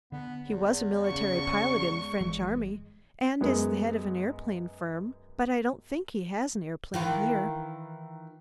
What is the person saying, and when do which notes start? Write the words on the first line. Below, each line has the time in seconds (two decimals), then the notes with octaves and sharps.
"He was a military pilot in the French army and is the head of an aeroplane firm, but I don't think he has an aeroplane here."
0.12 D3 B3
0.47 E2
1.07 C#3 C#6
1.88 G#3
2.20 G1 E3 F3
3.41 F#2 G#3 B3
6.94 D#3 E3 F4